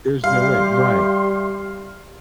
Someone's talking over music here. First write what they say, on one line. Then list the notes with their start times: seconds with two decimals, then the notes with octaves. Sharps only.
There's no way. Right.
0.24 G3 G4 E5 F5 C6